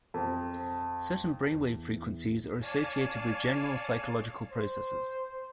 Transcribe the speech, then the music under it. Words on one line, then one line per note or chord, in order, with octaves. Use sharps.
Certain brainwave frequencies are associated with general psychological processes.
F2
E2
C#5 D5 F5 G#5 A5
C5